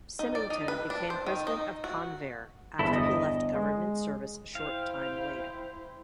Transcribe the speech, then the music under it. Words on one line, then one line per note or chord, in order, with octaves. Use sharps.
Symington became president of Convair after he left government service a short time later.
D#4
D5
D#4
B4
D4
C5
D#3
D#4
F#4
G1 E2 E4 A4 E5
D#5 D#6
G#3
E4 C5 F5 G5